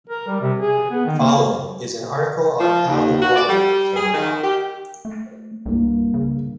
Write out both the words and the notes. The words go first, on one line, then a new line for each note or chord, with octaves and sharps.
Following is an article on how the quarry came about.
A#4
G3
C3
G#4
B3
D#3
A#3
F3
D#2
F#4
D5
G3
G#4
D#3
G4
A3
C2 G2 A#3
C#3